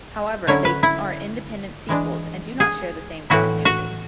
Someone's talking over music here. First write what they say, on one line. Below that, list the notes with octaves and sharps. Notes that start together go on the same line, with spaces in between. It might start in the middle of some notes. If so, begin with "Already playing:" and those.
However, they are independent sequels and do not share the same continuity.
D3 F#3 C#4 E4 C#5
B4
E4
E3 G#3 D4
G#4
A2 E3 B3 E4 F#4
F#4